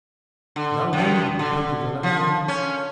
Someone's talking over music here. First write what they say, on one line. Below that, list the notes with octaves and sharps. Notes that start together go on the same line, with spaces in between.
"Know him!" repeated the landlord.
D3
F#2
D3
F3
C#4